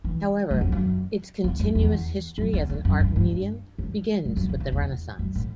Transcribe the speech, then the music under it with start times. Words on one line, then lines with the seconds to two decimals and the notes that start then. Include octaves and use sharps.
However, its "continuous" history as an art medium begins with the Renaissance.
0.04 E3
0.51 F#2
0.61 E2
0.72 F#2
1.44 E2
1.59 F#2
1.75 E2
2.38 F#2
2.53 E2
2.70 E2
2.85 F#2
3.00 G2
3.16 G2
3.78 G2
4.25 F#2
4.37 F#2
4.49 F#2
4.60 E2
4.72 E2
5.19 F#2
5.35 A2